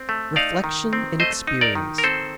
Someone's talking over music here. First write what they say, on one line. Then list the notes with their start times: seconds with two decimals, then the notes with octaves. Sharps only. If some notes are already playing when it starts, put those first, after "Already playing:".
Reflection in Experience.
Already playing: C4
0.09 A3
0.36 D#4 D5 F5
0.64 D#3
0.93 C4
1.20 A3 C5 D#5
1.47 D#4
1.61 A#4 D5
1.75 D#3
1.98 A#4
2.04 C4 A4 C5